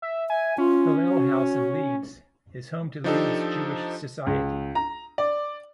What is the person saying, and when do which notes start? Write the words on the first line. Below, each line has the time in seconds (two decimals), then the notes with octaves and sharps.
Hillel House in Leeds is home to Leeds Jewish Society.
0.02 E5
0.30 E5 G#5
0.58 C#4 F4
1.09 F#4
3.04 F3 D4 D#4 G4 A4
4.27 C#2
4.75 A#5
5.18 D5